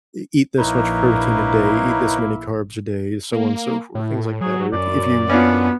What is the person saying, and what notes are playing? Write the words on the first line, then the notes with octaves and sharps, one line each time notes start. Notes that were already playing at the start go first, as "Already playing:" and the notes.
e eat this much protein a day, eat this many carbs a day, so on so forth," things like that, or if you
A#1 A#3 D#4 E4 B4 C#5
A#3
A2
F#3 G#4
F#2 D5
B3 C#4 D4 F4